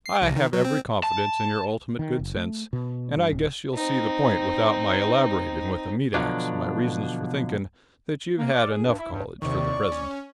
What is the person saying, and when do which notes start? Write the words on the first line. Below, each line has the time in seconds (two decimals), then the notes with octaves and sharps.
I have every confidence in your ultimate good sense, and I guess you'll see the point without my elaborating with a meat ax my reasons for thinking that you've had enough college for the present.
0.06 C7
0.22 C2
0.36 D#3
0.53 F#3
0.65 C4
1.04 A5
1.99 D#3
2.19 F#1
2.36 A3
2.73 B2
3.16 G2
3.33 D1
3.75 C4 D#4
6.14 B2 D3 F3 F#3 D4
8.38 A#3
8.52 D5
8.70 G#4
8.86 G2
8.98 E4
9.11 G2
9.42 D#2 C3 E4 C#5 D5 C#6
9.92 C#4